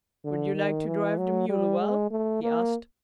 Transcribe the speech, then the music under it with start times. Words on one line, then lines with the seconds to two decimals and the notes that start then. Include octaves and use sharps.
"Would you like to drive the mule awhile?" he asked.
0.24 D3
0.56 D#3
0.87 E3
1.18 F#3
1.49 G3
1.80 G#3
2.11 A3
2.42 A#3